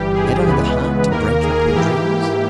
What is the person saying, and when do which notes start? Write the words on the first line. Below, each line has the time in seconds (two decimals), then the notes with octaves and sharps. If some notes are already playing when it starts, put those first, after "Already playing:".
Had I the heart to break up her dreams?
Already playing: G1 G2 E3 G3 G4
0.15 G#4
0.47 C#2 C#3 E3 G#3 B3 B4
1.11 D#2 D#3 A#3 A#4
1.43 G#4
1.75 G#2 E3 A#3 E4 G4